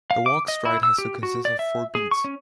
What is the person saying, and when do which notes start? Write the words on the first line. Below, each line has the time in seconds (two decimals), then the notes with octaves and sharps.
The walk stride has to consist of four beats.
0.11 F5
0.26 D6
0.48 D#5
0.65 E4
0.83 E6
0.98 G4
1.23 F#4
1.45 D5
1.59 E5
1.95 G#4
2.11 C#6
2.24 C#4